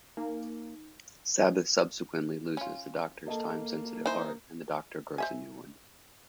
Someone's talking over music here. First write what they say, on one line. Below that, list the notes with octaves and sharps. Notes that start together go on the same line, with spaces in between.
Sabbath subsequently loses the Doctor's time-sensitive heart and the Doctor grows a new one.
A#3 D#4
C#4 F4
A#3 A4 D#5 A5
E3 D#4 C5
C5 E5 G#5